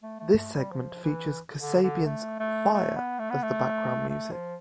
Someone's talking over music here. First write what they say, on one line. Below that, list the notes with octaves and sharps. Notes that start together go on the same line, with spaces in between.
This segment features Kasabian's "Fire" as the background music.
A3
A3
A3
G3
F3
E3
D3
D3
A3
A3
A3
B3
A3
B3
A3
A3
F3